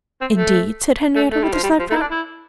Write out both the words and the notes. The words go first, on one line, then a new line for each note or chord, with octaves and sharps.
"Indeed?" said Henriette, with a slight frown.
C4
A3
A3
A3
G3
F3
G3
F3
A3
E4
D4
E4